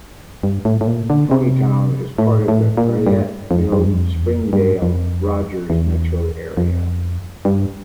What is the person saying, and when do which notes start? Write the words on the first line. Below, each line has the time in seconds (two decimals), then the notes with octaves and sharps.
Tonitown is part of the Fayetteville, Springdale, Rogers metro area.
0.43 G2
0.65 A2
0.81 A2
0.87 A#2
1.10 D3
1.31 C3
2.18 A2
2.48 A2
2.77 A#2
3.07 G2
3.51 F2
3.72 G2
3.79 F2
3.87 G2
3.94 F2
4.14 E2
4.23 F2
4.53 G2
4.82 F2
5.70 E2
6.57 F2
7.45 G2